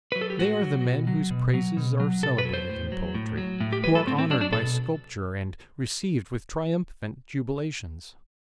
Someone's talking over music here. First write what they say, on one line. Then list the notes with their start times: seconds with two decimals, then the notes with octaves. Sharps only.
They are the men whose praises are celebrated in poetry, who are honored by sculpture and received with triumphant jubilations.
0.12 F#3 B4
0.21 A4
0.30 G4
0.38 A2 F#4
0.61 F#3
0.85 B2
1.07 F#3
1.31 B2
1.54 F#3
1.77 B2
2.00 F#3
2.23 B2 A4
2.38 B4
2.45 F#3
2.54 C5
2.69 A2
2.92 F#3
3.15 A2
3.38 F#3
3.60 A2
3.73 G4
3.84 F#3 B4
3.95 A4
4.07 A2 C4
4.18 C4
4.30 F#3 D4
4.41 D4
4.53 B2 A4